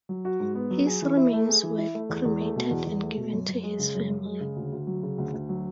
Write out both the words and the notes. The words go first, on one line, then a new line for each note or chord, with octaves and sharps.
His remains were cremated and given to his family.
F#3
F#4
G#2
B3
F#3
G#4
E3
E4
A3
G#4
E3
E4
A3
E2
E2
A3
B2
E2
E2
A3
B2
F#2
F#2
G#3
C#3
F#2
F#2
G#3
C#3
D2
D2
F#3
C#3
D2
D2
F#3